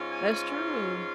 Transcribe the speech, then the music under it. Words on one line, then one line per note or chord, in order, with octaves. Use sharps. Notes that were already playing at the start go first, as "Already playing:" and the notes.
That's true.
Already playing: G#2 G#3 C#4 F4
G#5
F5